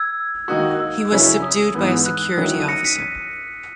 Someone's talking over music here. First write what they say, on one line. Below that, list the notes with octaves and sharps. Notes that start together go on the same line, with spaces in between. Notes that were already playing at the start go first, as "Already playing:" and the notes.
He was subdued by a security officer.
Already playing: E6 G#6
D#3 A#3 D#4 F#4
E6
C#3 F#3 C#4 E4
D#6
G#2 E3 B3
F#6
D#3 F#3 C#4 E4
D#7
A#6 C#7
B6 D#7